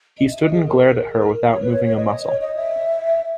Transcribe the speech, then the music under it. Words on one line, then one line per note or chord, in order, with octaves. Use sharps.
He stood and glared at her without moving a muscle.
D#5
E5
D#5
G#4
A#4
C#5
B4
C#5
C#5
D#5
D#5
C#5
D#5
E5